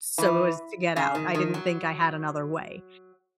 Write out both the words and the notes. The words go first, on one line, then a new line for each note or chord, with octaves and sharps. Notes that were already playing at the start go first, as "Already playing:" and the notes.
so as to get out. I didn't think I had another way,
E3
C#3
D#3
D#3
F#3